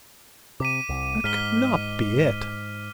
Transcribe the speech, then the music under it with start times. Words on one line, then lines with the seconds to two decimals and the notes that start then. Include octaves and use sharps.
That could not be it.
0.60 C3 D6 B6 D#7
0.89 C2
1.24 G#2 F6 B6 G7